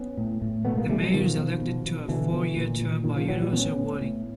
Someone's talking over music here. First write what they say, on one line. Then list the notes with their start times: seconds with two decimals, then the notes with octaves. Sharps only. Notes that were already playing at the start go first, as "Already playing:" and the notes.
The mayor is elected to a four-year term by universal voting.
Already playing: B3 C#4
0.17 A2
0.42 A2
0.65 B2 A3 B3
0.77 G#3 A#3
0.89 B2 G3 A3
1.01 F#3 G#3
1.12 B2 D#3 F3
1.37 B2
1.62 B2
1.85 B2
2.08 B2 D3 E3
2.33 B2
2.57 A#2
2.81 A#2
3.04 A#2 D#3
3.16 D#3 F3
3.29 A#2 E3 F#3
3.40 F3 G3
3.53 A2 B3 C#4
3.76 A2
4.01 A2